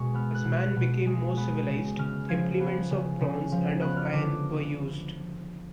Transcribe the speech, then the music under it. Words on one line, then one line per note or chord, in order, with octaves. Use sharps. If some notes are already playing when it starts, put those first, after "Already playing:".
As man became more civilized, implements of bronze and of iron were used.
Already playing: B2 G#3 C#6
B3 F6
F#6
B2
F#6
B2
G#3
B3
C#3
C#3 F6
F3 G#6
B3
C#3
C#3
F3
B3 F#6
F6
D3 D6